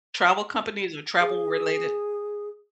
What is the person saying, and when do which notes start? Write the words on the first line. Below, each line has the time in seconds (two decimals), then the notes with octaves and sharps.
travel companies or travel-related?
1.20 G#4